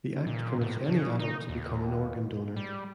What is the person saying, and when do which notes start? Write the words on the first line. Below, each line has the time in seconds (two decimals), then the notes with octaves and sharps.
The Act permits any adult to become an organ donor.
0.26 A#2
0.61 A2
0.84 C#3
1.19 D#4
1.49 D#2
2.56 G3